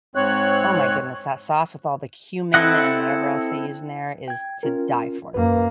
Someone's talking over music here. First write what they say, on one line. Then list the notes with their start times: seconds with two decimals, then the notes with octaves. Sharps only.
oh my goodness, that sauce with all the cumin and whatever else they use in there is to die for.
0.15 G#2 C4 C#5 F#6
2.54 C4 E4 A4 D#5 F#5
4.28 G5 G#6
4.63 C#4 F4 A#4
5.34 F#2 A#3 B4